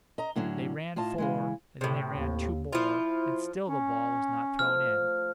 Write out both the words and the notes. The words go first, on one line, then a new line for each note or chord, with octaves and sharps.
They ran four, and then they ran two more, and still the ball was not thrown in.
D#5 A#5
A2 D3 F#3 C#4
A2 F4 D#5 A5
C#3 E3 G#3
A2 C3
D#2
F3 E4 F4
C#4
F3 A3 F6